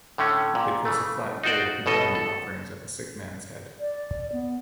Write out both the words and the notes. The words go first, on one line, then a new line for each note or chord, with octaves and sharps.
They place a flat bowl containing the offerings at the sick man's head.
A2 D3 A3 C#4
A#2
C#3 E3 A3
D#4 F4 F#4 C5 D5
A1 B2 A4 D#5
A4
D5
B3